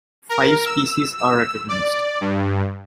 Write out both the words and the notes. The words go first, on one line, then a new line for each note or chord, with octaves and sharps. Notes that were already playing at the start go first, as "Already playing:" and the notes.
Five species are recognized.
A#4
E6
E6
D5
G2